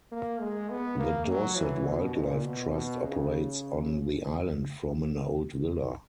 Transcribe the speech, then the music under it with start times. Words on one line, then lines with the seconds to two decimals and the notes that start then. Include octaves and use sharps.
The Dorset Wildlife Trust operates on the island from an old villa.
0.12 A#3
0.41 G#3
0.70 B3
0.99 A#3
1.28 F#3
1.57 E3
1.86 B2
2.15 A#2
2.45 B2
2.74 B2
3.04 C#3